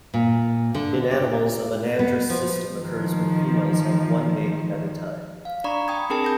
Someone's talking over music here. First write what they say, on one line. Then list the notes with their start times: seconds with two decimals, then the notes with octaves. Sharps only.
In animals, a monandrous system occurs when females have one mate at a time.
0.14 A#2
0.75 D3
1.11 G4
1.99 B3
2.30 F3
2.79 D#3 F3
5.45 F5
5.64 D4 D5 A#5 B5 C#6
5.88 G5 B5 D#6 G#6
6.10 C4 D4 G#4 A#4 G5 A5
6.24 G6 A#6